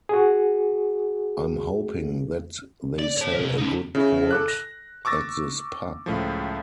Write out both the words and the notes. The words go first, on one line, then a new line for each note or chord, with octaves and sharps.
I'm hoping that they sell a good port at this pub.
F#4 G#4
D5
C#5 A5
C3 A#4
C#4 D#4
C#3 E4
A4 D6 F#6
A#6
C#6 D6 E6 A6 A#6
C#2 A2 F3